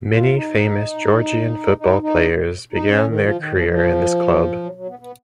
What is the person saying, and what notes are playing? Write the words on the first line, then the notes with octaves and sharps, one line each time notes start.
Many famous Georgian football players began their career in this club.
F4
D#4
D#4
D#4
D#4
C#4
D#3
F3
D#3
F3
F3
F#3
F#3
B3
B3